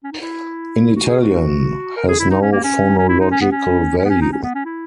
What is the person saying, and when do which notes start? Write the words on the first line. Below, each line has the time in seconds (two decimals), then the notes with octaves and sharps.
In Italian, has no phonological value.
0.04 C#4
0.12 D#4
0.21 E4
0.96 F#4
1.08 G#4
1.20 F#4
1.97 A#4
2.08 G#4
2.20 E4
2.31 D#4
2.41 C#4
2.52 A#3
2.64 C#4
2.98 C#4
3.09 E4
3.20 D#4
3.31 C#4
3.41 B3
3.51 C#4
3.98 C#4
4.05 B3
4.10 C#4
4.21 D#4
4.32 C#4
4.43 B3
4.55 C#4
4.65 E4